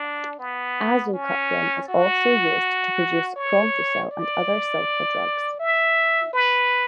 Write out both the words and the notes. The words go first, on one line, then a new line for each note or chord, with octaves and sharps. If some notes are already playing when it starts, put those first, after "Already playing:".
Azo coupling is also used to produce prontosil and other sulfa drugs.
Already playing: D4
B3
C#4
F#4
C#5
D5
E5
B4